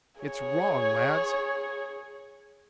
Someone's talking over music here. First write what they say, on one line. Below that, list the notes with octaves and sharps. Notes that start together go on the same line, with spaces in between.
"It's wrong, lads!"
G#4 C#5